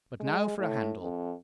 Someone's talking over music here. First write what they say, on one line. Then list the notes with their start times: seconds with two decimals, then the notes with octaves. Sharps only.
"But now for a handle."
0.20 G#3
0.58 A2
1.01 F2